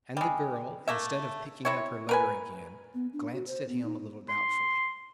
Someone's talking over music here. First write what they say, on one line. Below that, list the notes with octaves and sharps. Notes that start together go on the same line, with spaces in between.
And the girl, instead of picking up her letter again, glanced at him a little doubtfully.
G3 G#3
A3 A#3 E5
C3 E4 C#5
A#4 B4 G#5
B3
D4
F#4
C5
B3
D#4
C6